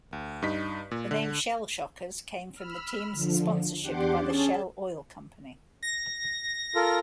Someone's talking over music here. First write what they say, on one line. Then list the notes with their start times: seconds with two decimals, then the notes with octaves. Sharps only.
The name "Shell Shockers" came from the team's sponsorship by the Shell Oil Company.
0.13 D2
0.42 G2 D#4 B6
0.91 A#2
1.11 D3
2.54 B5 E6 F6
3.12 D3 F3
3.81 E2 D4 G4 F#5 C6 D6
4.18 C#4 G#4 A5
5.83 A#6
6.75 F4 A4 A#4